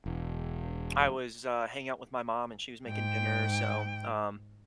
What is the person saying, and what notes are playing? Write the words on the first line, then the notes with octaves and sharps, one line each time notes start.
I was, uh, hanging out with my mom and she was making dinner, so, um,
E1
G#2 G5